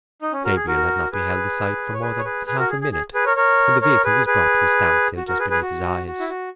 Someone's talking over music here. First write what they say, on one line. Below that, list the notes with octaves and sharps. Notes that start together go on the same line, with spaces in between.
Gabriel had not beheld the sight for more than half a minute, when the vehicle was brought to a standstill just beneath his eyes.
D#4
C#4
F#4 A#4
G#4
F#4 A#4
G#4 B4
C#5
G#4 B4
C#5
G#4 B4
G#4 B4
F#4 A#4
G#4
G#4
G#4
G#4 B4
A#4 C#5
A#4 C#5
A#4 C#5
G#4 B4
G#4 B4
F#4
F#4 A#4
G#4 B4
G#4 B4
F#4
F#4
E4
F#4